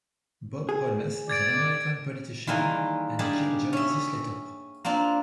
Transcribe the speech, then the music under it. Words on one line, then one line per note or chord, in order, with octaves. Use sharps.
"Bob" Holmes is an American politician and Georgia legislator.
G#4
D5 G#6 A6 D7
D#3 E3 G3 G#3 A#3
D#3 G3 D4 G4 G#4
C#4 E5
A#3 C4 D4 F4